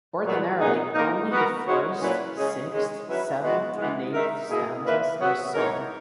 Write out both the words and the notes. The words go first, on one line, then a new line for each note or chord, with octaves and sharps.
Ordinarily, only the first, sixth, seventh and eighth stanzas are sung.
A#2 F#3 B3
A#2 F#3 B3 D#4 G#4
A#3 D#4 A#4
B3 F#4 A#4
G#3 D#4 F#4 C#5
A#2 F#3 C#4 E4 B4
C#3 G#3 C#4 G#4
D#3 G#3 C#4 G#4
F#3 C#4 E4 B4 E5
G#3 B3 F#4
E3 G#3 B3
D#3 G#3 D#4 A#4 E5
B2 A#3 E4 G#4 D#5
A#2 A#3 E4 B4 E5
F#3 B3 F#4 C#5 E5
E3 G#3 D#4 A#4 C#5